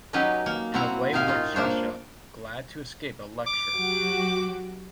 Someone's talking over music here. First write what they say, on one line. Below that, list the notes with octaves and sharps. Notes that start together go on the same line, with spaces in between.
And away went Sasha, glad to escape a lecture.
F#3 C#4 D#4 G4 B4 D#5
A#3
F#3 A#3 C4 E4 F#5 A#5
A2 C3 D#4 A#4 F5 G#5
C#4 D#4 F4
A#3 D4 C5 C#5 F5
D6
F#3 F#4 G4